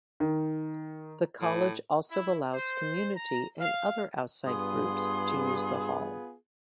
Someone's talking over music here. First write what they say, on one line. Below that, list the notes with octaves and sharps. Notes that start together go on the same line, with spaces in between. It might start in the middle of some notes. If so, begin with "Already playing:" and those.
The college also allows community and other outside groups to use the hall.
D#3
A2
E4
C5
A#5
F5
G2 B3 F4 G#4 C6 D#6